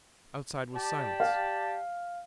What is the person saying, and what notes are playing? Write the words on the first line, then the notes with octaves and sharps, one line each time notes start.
Outside was silence.
G4 D5 A5
F5